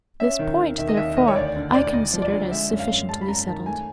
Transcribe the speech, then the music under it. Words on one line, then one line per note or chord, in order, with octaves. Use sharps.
This point, therefore, I considered as sufficiently settled.
C#4 E5
D#3
D#2
D#3 E5
D#5
D#2 E5
D#3 D#5
C#5
D2 D5
D3
D2 D5
D2 D#5
F3
D5
D3
G#3 E5
F#2
F5
F#2
G#3 A5
B5
F#2 A#5
D#3 A5
A3 G#5